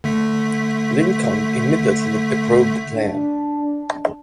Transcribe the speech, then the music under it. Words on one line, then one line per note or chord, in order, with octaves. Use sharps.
Lincoln immediately approved the plan.
D3 A3 B6
D4